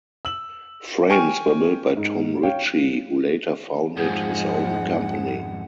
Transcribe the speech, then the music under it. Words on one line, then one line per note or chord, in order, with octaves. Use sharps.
Frames were built by Tom Ritchey, who later founded his own company.
E6 F#7
G5 G#5 C#6 F6 D7
G#2
C#5 F5 G5
F2 G#2 F3 G#3 D#4 F#5